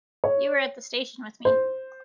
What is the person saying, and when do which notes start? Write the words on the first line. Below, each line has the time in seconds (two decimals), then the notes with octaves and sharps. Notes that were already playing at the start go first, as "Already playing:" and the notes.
You were at the station with me.
0.24 C#5
1.45 C5